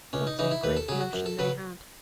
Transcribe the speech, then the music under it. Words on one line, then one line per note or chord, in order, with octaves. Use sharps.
What a great notion they had!
C#2 C#4
D#4
C#3 E3 D#4
E4
D#2 B4
A4
C#3 F#3 G#4
F#4
F#2
A4
C#3 F#3 B4